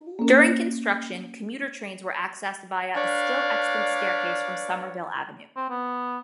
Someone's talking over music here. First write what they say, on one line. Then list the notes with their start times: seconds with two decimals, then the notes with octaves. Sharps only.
During construction, commuter trains were accessed via a still-extant staircase from Somerville Avenue.
0.19 A#3 C#4
2.96 D4 B4 C#5 D5 F5
5.56 C4
5.70 B3